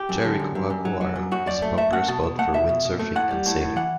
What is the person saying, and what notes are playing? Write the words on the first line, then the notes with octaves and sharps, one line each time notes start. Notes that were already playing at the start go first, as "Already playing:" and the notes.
Jericoacoara is a popular spot for windsurfing and sailing.
Already playing: G4
F#2
D3
F#2
F#2
F#2
F#3
F#3
F#2
F#2 F#4
F#2 D5
A3
A3 E5
A3 F#5
B2 A5
B2
A3 F#5
B2 E5
B2
B2
A3
A2 F#5
G3
A2
A2
E3 F#5